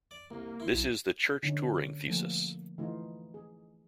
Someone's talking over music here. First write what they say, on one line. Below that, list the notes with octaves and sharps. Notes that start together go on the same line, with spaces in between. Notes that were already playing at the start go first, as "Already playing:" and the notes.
This is the Church-Turing thesis.
D5
C2 A#3
E4 C6
B1
D3 C#4 D#4
F3 A3 A#3
E3 A3 D#4 F4
G#4